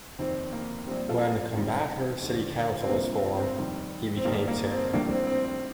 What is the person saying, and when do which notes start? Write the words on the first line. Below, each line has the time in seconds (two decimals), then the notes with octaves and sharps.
When Coimbatore City Council was formed, he became chairman.
0.19 F1 D#2 D#3 C4
0.53 A#3
0.86 A#1 A#2 G3 C4
1.09 F4 A4
1.54 F2 C3 D#3 G3
2.22 D#2 D3 F3
2.82 C4
2.90 G1 F2 C3 F3 A#3 D4
3.13 C4
3.36 C4
3.58 F1 D#2 D#3 G3
4.17 C4
4.25 F2 D#3 G3 A#3
4.48 A#3
4.71 C4
4.93 A#1 A2 G3 A#3 D4
5.10 C4
5.27 C4
5.44 C4